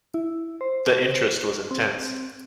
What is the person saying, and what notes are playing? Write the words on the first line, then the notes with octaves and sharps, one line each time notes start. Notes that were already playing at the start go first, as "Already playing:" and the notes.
The interest was intense.
E4
C5
C4